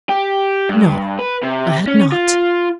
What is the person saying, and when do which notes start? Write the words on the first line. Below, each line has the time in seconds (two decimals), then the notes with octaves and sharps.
No, I had not.
0.09 G4
0.69 G2
1.19 B4
1.43 C3
1.87 C#4
2.12 F4